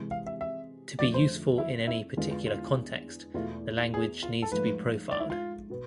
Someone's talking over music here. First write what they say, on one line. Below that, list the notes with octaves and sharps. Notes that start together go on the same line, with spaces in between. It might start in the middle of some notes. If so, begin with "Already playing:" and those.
To be useful in any particular context, the language needs to be profiled.
Already playing: C3 E3 G#3
F5
E5
E5
F2 D3 F3 A3 D5
C5
E4
E4
E2 D3 G#3 B3 D4 F4
F4
F4
E2 B2 A3 E4 F4
G#4
F4
A4
G#2 F3 A3 B4
D5
E4
F4
B2 B3